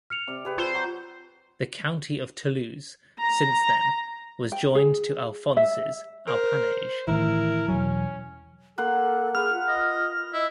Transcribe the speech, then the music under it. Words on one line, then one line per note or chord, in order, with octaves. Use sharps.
The county of Toulouse, since then, was joined to Alphonse's "appanage".
F6 C#7 F7
C3 D5
G4 G#4 B4 G5
F4 A4 C5
F#3
A#5
G5
G#4
E5
A#4 C5
A2 D#3 E3 E4 A#4
E1 D#2 F#3 C#4
A#3 A4 F#5 C6
G#4 B4 F#5 F6
F4
D#5
E4 D#5